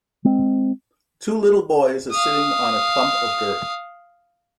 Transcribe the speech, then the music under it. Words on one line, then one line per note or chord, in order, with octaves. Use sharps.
Two little boys are sitting on a clump of dirt.
G#3 C4
F5 D#6